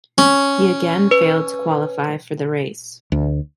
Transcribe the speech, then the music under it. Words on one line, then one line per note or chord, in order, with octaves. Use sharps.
He again failed to qualify for the race.
C#4
B4
D2